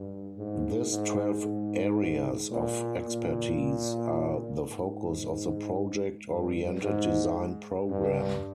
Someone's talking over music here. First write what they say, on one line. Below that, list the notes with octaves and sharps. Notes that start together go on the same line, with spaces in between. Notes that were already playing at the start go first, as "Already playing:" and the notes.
This twelve areas of expertise are the focus of the project-oriented design programme.
Already playing: G2
G#2
G#2
G#2
A#2
A#2
G#2
G2
G#2
G2